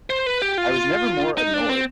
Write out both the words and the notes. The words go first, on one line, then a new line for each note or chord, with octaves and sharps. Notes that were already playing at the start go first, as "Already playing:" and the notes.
I was never more annoyed!
C5
B4
G4
F4
D#4
D4
C4